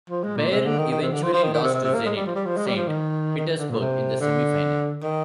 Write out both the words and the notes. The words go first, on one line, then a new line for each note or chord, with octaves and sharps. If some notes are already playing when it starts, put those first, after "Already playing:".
Bayern eventually lost to Zenit Saint Petersburg in the semi-final.
F3
G#3
A#2
C3
D3
D#3
D#3
C3
D3
F3
F3
D#3
D#3
C3
C3
C3
A#3
G#3
G3
F3
G3
F3
G#3
G3
F3
D#3
D#3
D3
A#2
C3
D3
D#3